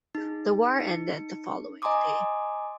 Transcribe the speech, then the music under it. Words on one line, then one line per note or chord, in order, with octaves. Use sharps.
The war ended the following day.
D#4 G#4
D#4 C#7
D#5 G#5 A#5 C6 D6 D#6